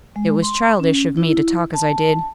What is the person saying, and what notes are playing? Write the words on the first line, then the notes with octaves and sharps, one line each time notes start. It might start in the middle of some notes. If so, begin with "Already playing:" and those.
It was childish of me to talk as I did.
G#3
C6
C#4
E4
A5